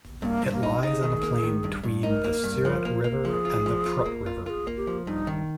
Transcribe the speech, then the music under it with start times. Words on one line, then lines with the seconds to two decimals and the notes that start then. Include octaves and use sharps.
It lies on a plain between the Siret River and the Prut River.
0.21 G2 A#3 C4
0.42 G2
0.52 A#3
0.63 D#4
0.82 D#4 G#4
1.03 D#3
1.23 A#3
1.43 D#3
1.64 G2
1.83 G2
2.03 D#4 A#4
2.24 A#3
2.44 G2
2.65 F3
2.85 A#3
3.04 A#3
3.25 F3 G#4
3.45 F4
3.66 F3
3.85 F4
4.06 A#3
4.26 F4
4.46 F4 G#4 A#4
4.67 A#3
4.76 G4
4.87 F3
5.07 G2 D#4
5.27 D#3